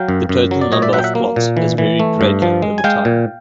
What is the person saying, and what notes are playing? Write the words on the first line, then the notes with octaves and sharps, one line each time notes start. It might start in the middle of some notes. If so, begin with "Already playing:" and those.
The total number of plots has varied greatly over time.
Already playing: F#3 F5 G5
F#2
F#2
F#3
D5
A#2 C#5 D#5
D5 E5
F#3 E5 F#5
G5
E5 F#5
A#3
A#2
E3
E3
A3
G2
F3
G#3
G#5
G#3 F5 G5
A#2